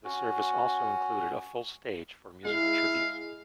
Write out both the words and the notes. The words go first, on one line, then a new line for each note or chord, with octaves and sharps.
The service also included a full stage for musical tributes.
C#4 F#4
G#3 E4 F5